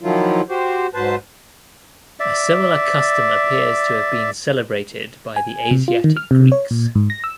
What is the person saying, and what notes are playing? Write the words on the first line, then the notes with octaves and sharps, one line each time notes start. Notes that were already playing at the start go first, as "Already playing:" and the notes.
A similar custom appears to have been celebrated by the Asiatic Greeks.
D#3 F3 F#3 E4 F4
F#4 G4 C5
G#2 F#3 B4 C5 A5
D5 E5
G#5
C3
F4
D#3
F6
C3
C#5
A#2
G#2
A#6
E6